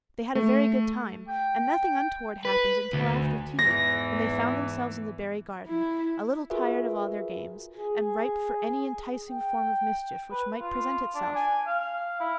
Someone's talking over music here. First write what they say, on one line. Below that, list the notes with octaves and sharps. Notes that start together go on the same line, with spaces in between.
They had a very good time and nothing untoward happened until after tea, when they found themselves in the Barry garden, a little tired of all their games and ripe for any enticing form of mischief which might present itself.
A3
G5
B4
D2
E2 G#2 E3 A#6
E4
F4 F#4 G#4 A#4 B4 E5
G#4
G5
B4
F4
D4
G#5
F5
E4